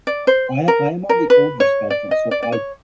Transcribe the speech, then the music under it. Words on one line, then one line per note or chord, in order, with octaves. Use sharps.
I I am on the older spectrum, so I
D5
C5
A#4
A#4
B4
C#5
D5
D#5
D5
D5
C#5